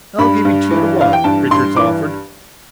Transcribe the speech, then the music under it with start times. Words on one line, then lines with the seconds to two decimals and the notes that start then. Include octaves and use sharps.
"I'll give you two to one," Richards offered.
0.18 G2 B5
0.45 G2
0.71 E3
0.98 E3 F5
1.13 G5
1.24 G2 A5
1.51 G2 C6
1.76 E3 D6